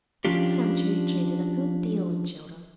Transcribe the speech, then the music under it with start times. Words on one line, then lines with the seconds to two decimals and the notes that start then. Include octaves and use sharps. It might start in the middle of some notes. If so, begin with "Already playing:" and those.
That century traded a good deal in children.
0.25 F3 C#4 D4 F4 G4